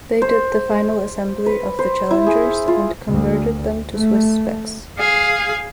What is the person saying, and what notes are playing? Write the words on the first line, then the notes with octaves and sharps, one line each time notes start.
They did the final assembly of the Challengers and converted them to Swiss specs.
C5
B4
C5
E4
G#4
F4
D2
A3
G#4 F5